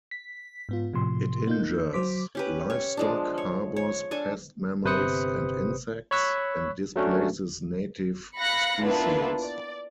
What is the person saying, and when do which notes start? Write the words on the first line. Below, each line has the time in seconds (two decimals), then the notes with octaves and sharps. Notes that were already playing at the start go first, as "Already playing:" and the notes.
It injures livestock, harbors pest mammals and insects, and displaces native species.
0.11 B6
0.69 G#2 B3 F4
0.93 A2 C3 F3 C6
1.48 A#3 D#4 G6
1.93 F#3 C5 D6 B6
2.35 C#4 G4 B4
2.70 C#5
2.97 F3 G#3 D4
3.38 C#5
3.76 C#5
4.11 D4 A4 G#5
4.84 G1 C3 B4 C5 D#6 C#7
6.11 C#5 B5 C#6 E6 F#6 B6
6.96 F#3 A3 C#4 D4 F#4
8.38 F5 B5 F#6 A#6 C#7
8.84 A#3 B3 D4 E4 F4 B4
9.44 D5